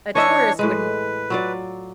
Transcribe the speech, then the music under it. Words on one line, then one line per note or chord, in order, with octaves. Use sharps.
a tourist wouldn't
E3 D4 C#5 D#5 E5 C#6
A2 G#3 B4
F#3 F4 D5